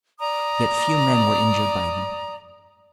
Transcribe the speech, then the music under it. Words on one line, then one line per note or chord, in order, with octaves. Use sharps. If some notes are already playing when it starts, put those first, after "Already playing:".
Yet few men were injured by them.
D5 A#5 D#6